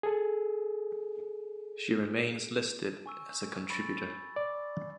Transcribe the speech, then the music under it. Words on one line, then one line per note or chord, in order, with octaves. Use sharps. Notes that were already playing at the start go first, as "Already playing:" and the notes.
She remains listed as a contributor.
G#4 A4
G#5 C#6 E6
B5 C#6 A6
D5